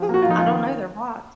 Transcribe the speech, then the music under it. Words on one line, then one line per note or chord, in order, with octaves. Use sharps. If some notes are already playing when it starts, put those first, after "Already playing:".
Hmm, I don't know, they're blocked.
Already playing: F3
A#3 F#4
F4
F2 D#4
F4
D#3